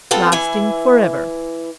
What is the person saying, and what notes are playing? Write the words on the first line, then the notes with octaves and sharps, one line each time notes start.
Lasting forever.
B3 C4 F4 A4
E3 E4 G#5